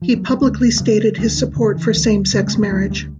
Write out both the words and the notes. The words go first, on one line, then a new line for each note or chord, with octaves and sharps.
He publicly stated his support for same-sex marriage.
F3
F#3
G3
D2 G#3
G3
C#3 F#3
D2 F3
D#3
C#3 E3
E3
D2
C#3
A3
G#3
G3
F#3
D2 F3
G3